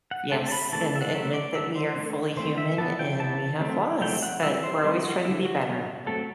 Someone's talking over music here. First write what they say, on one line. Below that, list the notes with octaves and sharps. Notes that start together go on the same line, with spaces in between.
yes, and admit that we are fully human and we have flaws, but we're always trying to be better.
F#5
D3 A3 C4 A5
A5
B5
E3 A3 C4 A5
A5
E5
F#5
F#3 A3 C4 E5
D5
D3 F#3 A3 E5
C5
C4
D3 A3
E3 A3 C4 C5
E5
E3 B3 A5
G5
E3 B3 A5
F#3 A3 C4
F#3 A3 C4 G5
F#5
E3 G3 C4 E5
C5
E3 G3 C4 C5
E4
F#4
D3 G3 C4 E4
F#4
D3 F#3 B3
F#3 A3 C4 A4